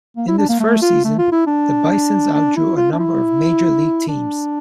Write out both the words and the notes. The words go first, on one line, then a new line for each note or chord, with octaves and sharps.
In this first season, the Bisons outdrew a number of Major League teams.
A#3
E4
D4
A#3
A3
F4
A3
F4
E4
D4
D4
E4
F4
D4
E4
D4